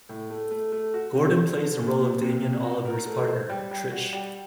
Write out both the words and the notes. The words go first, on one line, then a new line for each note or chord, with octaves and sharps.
Gordon plays the role of Damien Oliver's partner, Trish.
A2
A3
A3
A3
F#4
C3
D3
D3
A#2
A#2
C3
C3
F#4
A#4
A3
C5
G3
G3
F#4
G3